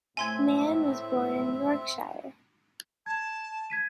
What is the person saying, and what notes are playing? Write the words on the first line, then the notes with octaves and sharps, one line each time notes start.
Mann was born in Yorkshire.
A2 C4 E5 G#5 C6 G#6
A5 G#6
G#6 B6 D#7